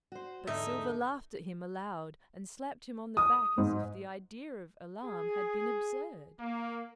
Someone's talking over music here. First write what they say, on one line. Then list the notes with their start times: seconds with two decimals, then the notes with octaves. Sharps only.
But Silver laughed at him aloud and slapped him on the back as if the idea of alarm had been absurd.
0.12 F#4 C5
0.47 E2 G#2 D3 D#4 E5
3.17 D#6
3.58 G#2
5.05 G#4
6.40 A#3